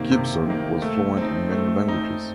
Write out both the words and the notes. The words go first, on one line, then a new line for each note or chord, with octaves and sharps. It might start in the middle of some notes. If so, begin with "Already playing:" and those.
Gibson was fluent in many languages.
Already playing: C3 D#3 A#3
C3
D#3 A#3
A3
C4 D#4
A3
C4 D#4